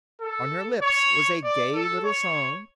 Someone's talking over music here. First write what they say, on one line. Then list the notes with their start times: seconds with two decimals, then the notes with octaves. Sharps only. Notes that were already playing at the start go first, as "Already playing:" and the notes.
On her lips was a gay little song.
0.20 A4
0.82 C#5
1.44 D5
1.74 A4
2.05 C#5